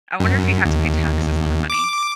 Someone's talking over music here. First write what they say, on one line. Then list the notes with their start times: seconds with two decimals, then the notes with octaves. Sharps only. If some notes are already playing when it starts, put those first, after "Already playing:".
I wonder if you'd have to pay taxes on the money.
0.20 F#2
0.66 D#2
1.70 D6